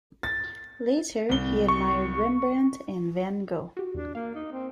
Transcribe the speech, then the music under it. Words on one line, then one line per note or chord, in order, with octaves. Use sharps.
Later he admired Rembrandt and Van Gogh.
A6
C2 G7
C#6
F#4 G4
E2 D4
A#3 F5
D#4
C4